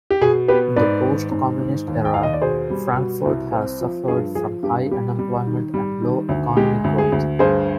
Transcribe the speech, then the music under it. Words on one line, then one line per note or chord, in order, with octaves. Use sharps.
In the post-communist era, Frankfurt has suffered from high unemployment and low economic growth.
G4
B2 G#4
B3 G4 B4
G#2 B4 D5
D#3
G#2
D#3
D#2
G5
D#2 F5
D#5
D5
B2 G#4 C5
G3
B2
C2
C4
F3
G2 G#4
F3 G#4
G2 G4
G3 G4
G3
D#3
G3
D#3
D2
G#3 G4
D2
G#4
D2
G2 G#4 C5